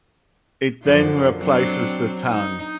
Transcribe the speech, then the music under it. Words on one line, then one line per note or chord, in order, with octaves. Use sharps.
It then replaces the tongue.
F#2 D3 F3
F#3 C4 D4
D#4